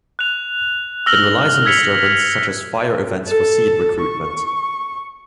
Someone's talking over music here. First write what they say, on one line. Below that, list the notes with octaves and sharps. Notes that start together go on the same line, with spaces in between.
It relies on disturbance such as fire events for seed recruitment.
F#6 F7
E6 F6 A#6 F#7 G7
E6 G#6 B6 C#7 F7 G7
A#6
A4
C#6